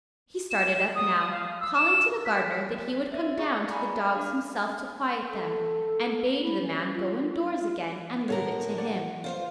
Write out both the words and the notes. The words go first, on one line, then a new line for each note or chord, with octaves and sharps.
He started up now, calling to the gardener that he would come down to the dogs himself to quiet them, and bade the man go indoors again and leave it to him.
E7
D#6
F5
E6
E7
B6
D5 E5
F4 G#4 D5 D#5 F5 C#6
D5 G#5 A#5 B5
D4 D5 F5
A4
E4
C#4
F4
A2 D3 A4 A#4 C#5 F#5
D5 F#5
F4 C5 F5